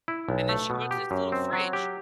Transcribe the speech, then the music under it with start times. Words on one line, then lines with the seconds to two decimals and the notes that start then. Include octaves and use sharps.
And then she goes to this little fridge,
0.08 E4
0.29 B1
0.49 A3
0.70 B2
0.91 G4
1.11 F#2
1.32 C4
1.53 F#3
1.73 G4